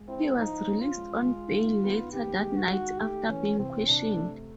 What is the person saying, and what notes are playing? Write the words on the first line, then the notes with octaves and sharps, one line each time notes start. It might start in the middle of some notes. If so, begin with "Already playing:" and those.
He was released on bail later that night after being questioned.
Already playing: G#3
C4 E4
F3 D#4
C#4
F4
G#3
G#3
D#3
B3
D#2 G4
G#3
F#4
D#3
A3 G4
E3 C#4
C3 C4
C3 D4
A3